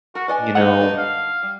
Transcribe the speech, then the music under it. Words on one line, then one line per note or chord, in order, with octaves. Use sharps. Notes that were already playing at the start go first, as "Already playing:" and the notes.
you know,
F#4 A#4
D4 B4 D#5 G#5
A3 D#4 D#5 F#5
D#3 D4
F5
G3